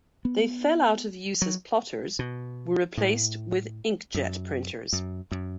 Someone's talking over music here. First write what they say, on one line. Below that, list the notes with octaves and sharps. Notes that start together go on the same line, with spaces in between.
They fell out of use as plotters were replaced with ink-jet printers.
B3
F#3
B2
A2
F#2
F#2
F#2